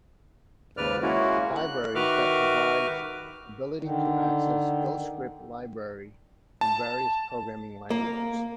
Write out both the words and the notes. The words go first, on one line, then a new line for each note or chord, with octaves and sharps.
Libraries that provides ability to access Ghostscript library from various programming languages.
D#2 G#2 C#3 B4 D5 F6
G#3 A#3 C#4 E4 F#4
A#3
F#6
D#3 F#4 B4 E5 D6 F6
D3 D#3
A5
A#3